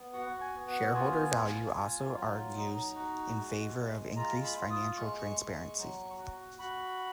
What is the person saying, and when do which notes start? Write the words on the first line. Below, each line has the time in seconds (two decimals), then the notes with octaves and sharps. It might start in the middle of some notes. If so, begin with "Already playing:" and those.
Shareholder value also argues in favor of increased financial transparency.
Already playing: B3
0.13 F#4 F#5
0.41 G#5
0.54 B3
0.68 F#5
0.94 F4 G#5
1.35 F4
1.75 F4
2.15 F#3
2.55 D#4
2.95 F#4
3.36 G#3
3.76 G#3
4.16 F4 A#5
4.44 B5
4.58 F4
4.70 D#6
4.97 G#3 C#6
5.38 G#3
5.78 F#3
6.19 F#4
6.59 F#4 B5